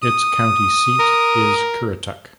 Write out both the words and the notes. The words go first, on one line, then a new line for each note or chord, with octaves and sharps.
Its county seat is Currituck.
D#6
A#4